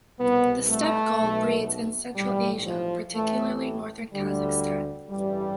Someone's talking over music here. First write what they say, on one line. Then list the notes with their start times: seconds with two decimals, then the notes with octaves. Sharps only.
The steppe gull breeds in Central Asia, particularly northern Kazakhstan.
0.19 C2 B2 B3
0.69 A3
1.18 B1 B2
2.16 B1 A2 E3 G3
2.66 F3
3.15 A1 A2 E3 A3
4.13 D2 D3 G3
5.10 A1 G2 E3 G3